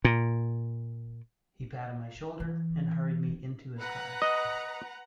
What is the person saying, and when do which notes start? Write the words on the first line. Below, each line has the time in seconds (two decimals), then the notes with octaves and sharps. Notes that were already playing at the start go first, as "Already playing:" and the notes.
He patted my shoulder and hurried me into his car.
0.05 A#2
2.40 E3
3.80 B4 F#5 A#5
4.22 D#5